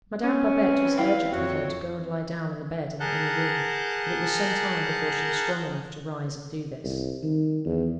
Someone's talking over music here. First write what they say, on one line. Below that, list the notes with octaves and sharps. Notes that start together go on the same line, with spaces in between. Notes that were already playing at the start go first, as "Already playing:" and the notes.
Madame Babette was urgent with her to go and lie down on the bed in the inner room; but it was some time before she was strong enough to rise and do this.
C#4
C4 B4
E4 F5 G5
F2 C4 F#4 C#5
G#4 A#4 F#5 A5 F#6 G6
C2
D#3
E2